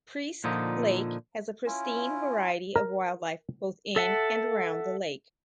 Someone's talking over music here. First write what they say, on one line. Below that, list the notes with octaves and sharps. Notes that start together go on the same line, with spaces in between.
Priest Lake has a pristine variety of wildlife both in and around the lake.
A#2 D3 F3 D#4
C#4 E4 F4
A#4
A4 E5 F#5 A5